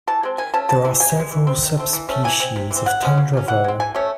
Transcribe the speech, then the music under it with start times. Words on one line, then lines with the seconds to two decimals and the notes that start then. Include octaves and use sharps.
There are several subspecies of tundra vole.
0.07 E3 A5
0.23 G#3 C4
0.38 D#3 G#5
0.54 A3 C#4 A5
0.69 C#3 A5
0.85 E3 C4
1.00 C#3 G#5
1.16 E3 G#3
1.31 E3
1.47 C4
1.63 D#3
1.77 A3 C4
1.93 E3
2.09 A3 C#4
2.24 E3 G#5
2.40 C4
2.56 C3
2.71 E3 C4
2.86 C#3 F#5
3.03 G#3 C#4
3.18 C#3
3.33 F#3 C#4
3.48 E3 F#5
3.64 G#3 C4
3.80 E3 G#5
3.95 A3 C#4 C#5